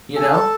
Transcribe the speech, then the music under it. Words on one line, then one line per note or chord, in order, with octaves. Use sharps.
You know?
A4 G#5
A4 A5